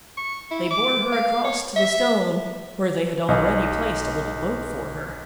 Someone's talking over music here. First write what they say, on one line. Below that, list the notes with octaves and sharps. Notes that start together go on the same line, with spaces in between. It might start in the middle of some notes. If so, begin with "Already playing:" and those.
They bore her across to the stone where they had already placed a little boat for her.
C#6
E4
D6
F5
C#5
E5
B1 D#5